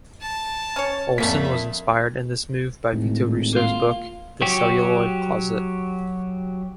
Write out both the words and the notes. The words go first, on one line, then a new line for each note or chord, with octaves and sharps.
Olson was inspired in this move by Vito Russo's book, "The Celluloid Closet".
A5
C#4 C#5
F2 A#2 D3 A#3 C#4 E5 B6
G#1 A2
A#3 F4
F#3 F#4 G4